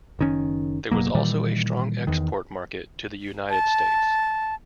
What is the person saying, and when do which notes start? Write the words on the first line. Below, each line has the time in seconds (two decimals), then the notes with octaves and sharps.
There was also a strong export market to the United States.
0.19 F#1 D#3 C#4
0.91 F#1 B2 F#3 A#3
1.15 A#2 D#3 E3 G3
2.07 E2 D#3
3.50 A5